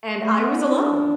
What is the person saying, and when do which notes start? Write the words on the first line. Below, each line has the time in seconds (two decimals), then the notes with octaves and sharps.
and I was alone
0.15 A3
0.38 B3
0.53 E4
0.61 D4